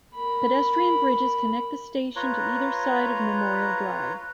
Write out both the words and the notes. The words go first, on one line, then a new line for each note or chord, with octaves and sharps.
Pedestrian bridges connect the station to either side of Memorial Drive.
A#4 B5
F4 B4 C#5 A#5